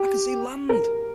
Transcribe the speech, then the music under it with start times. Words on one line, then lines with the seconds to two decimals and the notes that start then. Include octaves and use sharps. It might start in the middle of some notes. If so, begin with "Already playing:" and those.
I can see land!
Already playing: G4
0.69 A#4